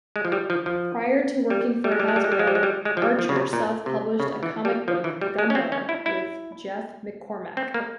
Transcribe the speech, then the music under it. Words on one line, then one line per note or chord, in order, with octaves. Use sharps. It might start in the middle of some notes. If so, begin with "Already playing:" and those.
Prior to working for Hasbro, Archer self-published a comic book, "Gumbo", with Jeff McCormack.
G#3
F3
G3
F3
F3
G3
G3
G#3
G3
G#3
G3
G#3
G3
G#3
G3
G#3
G3
G#3
F3
G3
F3
C#3
C3
A#2
C3
C#3
E3
G3
F3
E3
G3
G#3
C#4
C4
C#4
E4
E4
C4
A#3